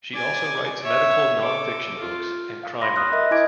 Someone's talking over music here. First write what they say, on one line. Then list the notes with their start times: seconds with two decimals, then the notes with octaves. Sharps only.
She also writes medical nonfiction books and crime novels.
0.14 D5 G#5
0.83 C#5 E5
1.41 A4 D6
1.98 F4
2.63 F5
2.82 B5 C6 A#6
2.96 D#6 F6 F#6 A#6
3.13 A#4 D#5 E5 B5
3.31 E4 D#5 G#5 D6 G#6 D7